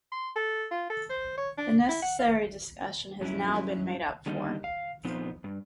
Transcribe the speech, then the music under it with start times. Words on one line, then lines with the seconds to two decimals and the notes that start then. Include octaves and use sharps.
The necessary discussion has now been made up for.
0.12 C6
0.36 A4
0.71 F4
0.90 A4
1.10 C5
1.37 C#5
1.58 D4
1.88 E4
2.02 F#5
2.19 F5
3.21 G2 F#3 A#3 C#4 E4
4.26 D3 D#3 G3 A#3 D#4
4.64 F5
5.04 A#2 F3 B3 C4 D#4 F4
5.44 G2